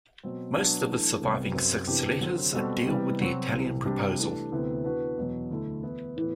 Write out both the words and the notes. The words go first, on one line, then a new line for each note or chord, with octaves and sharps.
Most of his surviving six letters deal with the Italian proposal.
B2 F#3 C4
B2 F#3 B3 D4
E3 A3 D4
C2 C3 G3 B3
F#2 F#3 C4
C3 E3 B3 D4 G4
D3 F#3 C4
B2 G3 C4 F#4 A4
C3 E3 G3 B3
C3 F#3 C4 F#4
C2 C3 E3
C3 G3 D4 G4
E3 A3 D4 G4 B4
D2 C3 E3 B3 E4
E3 B3 D4 F#4 B4
E2 B2 F#3
D2 D3 A3 E4
E3 B3 E4
A2 E3 B3 E4